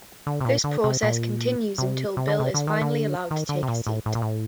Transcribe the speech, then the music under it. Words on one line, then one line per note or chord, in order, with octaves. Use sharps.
This process continues until Bill is finally allowed to take a seat.
D3
C3
A#2
D3
C3
A#2
C3
C3
D3
C3
D3
D#3
D3
D#3
D3
C3
A#2
A2
A2
A#2
A2